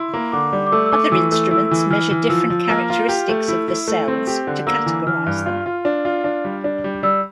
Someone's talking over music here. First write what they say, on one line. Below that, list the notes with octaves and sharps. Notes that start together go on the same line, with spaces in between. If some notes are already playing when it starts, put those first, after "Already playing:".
Other instruments measure different characteristics of the cells to categorize them.
Already playing: E4 C6
A#3
D3 D6
G3
D6
A3 E6
E6
A3 D6
E3 E6
A3 E6
E4 E6
E3
E3 F6
E3
F3 E6
F3
E6
A#3 F6
F4
G4
A3
E4
E4
A3
C4
G4
D3
A#3 E6
E3
E3 F6
G2
F4
F4
D4
F4
D4
G3
D4
G3
G3 E6